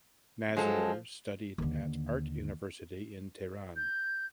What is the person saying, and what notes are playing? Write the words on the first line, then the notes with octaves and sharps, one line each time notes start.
Nazer studied at art university in Tehran.
F3 F#3 G#3 A4
D#2 D3
G6